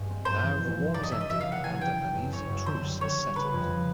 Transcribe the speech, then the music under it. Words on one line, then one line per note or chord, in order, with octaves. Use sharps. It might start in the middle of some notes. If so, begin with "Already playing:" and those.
Now, the war is ending and an uneasy truce has settled.
Already playing: G2 G#3
C4
G2 C5
E3
F1
F1
C#3 D5
D#5
F1 E5
D#5
F1 E5
F5
F1
F#5
E2 G#5
E2 G5
G3
F#2
F#1 C#5
F#2
D3 C5
G3
G3 C#5
G3
C#3 B4
F2